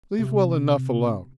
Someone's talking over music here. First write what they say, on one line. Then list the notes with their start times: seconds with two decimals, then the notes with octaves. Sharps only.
Leave well enough alone.
0.19 C3